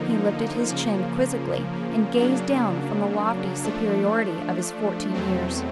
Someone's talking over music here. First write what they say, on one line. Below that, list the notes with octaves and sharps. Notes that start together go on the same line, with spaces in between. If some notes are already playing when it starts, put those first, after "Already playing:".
He lifted his chin quizzically, and gazed down from the lofty superiority of his fourteen years.
Already playing: D3 F3 A#3 D#4
C#3 F3 A#3
C#3 F#3 A#3 D4
F3 A3 D4
E2 B2 F#3 A3 C4